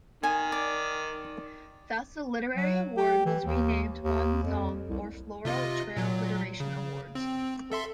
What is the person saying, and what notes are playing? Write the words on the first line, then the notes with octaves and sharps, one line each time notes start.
Thus the literary award was renamed "Hua Zong" or Floral Trail Literation Awards.
D#3 G#5
D5
F#3
G4
E3
D#2
D#2
F2
C2
C3 F4 D#5
A#2 F#3
C#3
C4
A4 E5 C6